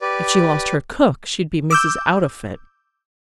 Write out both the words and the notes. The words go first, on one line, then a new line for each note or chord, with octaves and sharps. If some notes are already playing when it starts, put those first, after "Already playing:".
If she lost her cook she'd be Mrs. Outofit.
G4 B4 D5
D6 E6 G6